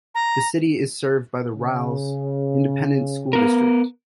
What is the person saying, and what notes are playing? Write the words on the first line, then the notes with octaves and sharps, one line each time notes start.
The city is served by the Ralls Independent School District.
A#5
C#3
B3 A#4